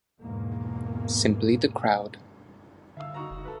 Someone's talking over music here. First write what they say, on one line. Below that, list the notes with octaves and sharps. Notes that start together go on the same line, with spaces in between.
Simply the crowd.
E2 G#2 B2 A#3
D3 E5 F5 E6
D#4 F#4 A#5
F1
A4 B4